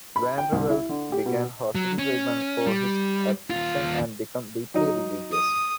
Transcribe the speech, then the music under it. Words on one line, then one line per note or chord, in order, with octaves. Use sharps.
Van der Velde began hospital treatment for his addiction and became deeply religious.
B5
G5
C2
E4
D3
G4
B2
F#3
C#4
G3
D#2 F4
F#3 D#4
D#6